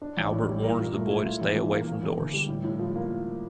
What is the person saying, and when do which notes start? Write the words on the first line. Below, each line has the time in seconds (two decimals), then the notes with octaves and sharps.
Albert warns the boy to stay away from Doris.
0.02 D4
0.17 A1
0.33 A2
0.48 G3
0.63 A#4
0.79 A#2
0.94 A3
1.09 E4
1.25 F4
1.41 E2
1.56 E3
1.71 A#3
1.87 A#3
2.03 E2
2.18 D3
2.33 G3
2.48 A2
2.64 A2
2.79 F3
2.96 A#3